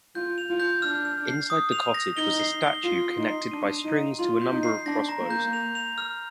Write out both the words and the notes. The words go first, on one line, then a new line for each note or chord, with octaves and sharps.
Inside the cottage was a statue, connected by strings to a number of crossbows.
F4 G6
F7
F4
G6
D4 F6
F6
C7
D#6
F7
A#6
D#4 G7
C7
G7
F4 C7
C6
D#4
C7
D4 D#7
D#7
D#4
D#7
F4 C6
G6
D#4
C7
D4 A#6
A#5
A#3
G6
F7
F7
F6